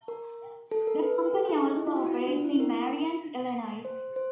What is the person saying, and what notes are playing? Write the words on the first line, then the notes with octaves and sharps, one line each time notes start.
The company also operates in Marion, Illinois.
A#4
A4
A#4
B4
A4
G#4
D#4
E4
F4
F#4
F4
D4
E4
A#4
C5
C5